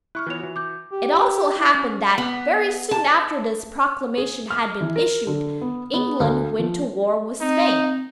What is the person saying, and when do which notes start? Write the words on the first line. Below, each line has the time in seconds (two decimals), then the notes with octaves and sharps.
It also happened that very soon after this proclamation had been issued, England went to war with Spain.
0.15 E4 C#6 F6 F#6
0.26 E3 B3 F4 C#5 F7
0.40 E3 F#4
0.56 D6 G6
0.91 G4
1.58 E4
1.73 C#4
2.18 B3
2.91 A5
4.17 G#4
4.51 F6
4.81 E3
4.96 A#4
5.27 D3
5.61 B3
5.94 B3
6.20 D2
6.59 F3
7.41 C4 D#4